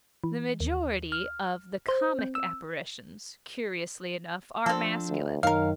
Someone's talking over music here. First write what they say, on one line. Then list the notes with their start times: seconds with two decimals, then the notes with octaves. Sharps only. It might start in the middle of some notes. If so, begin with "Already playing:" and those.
The majority of the comic apparitions, curiously enough, are masculine.
0.24 E3
0.60 D#2
1.12 F6
1.88 C5
2.19 C4
2.35 E6
4.66 F3 C4 D4 A4
5.09 D2
5.43 F#2 D#3 A#4 C#5 F5